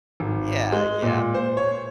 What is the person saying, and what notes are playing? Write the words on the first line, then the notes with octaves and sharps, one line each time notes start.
yeah, yeah.
G#1
G#3
A#2
C5
C#5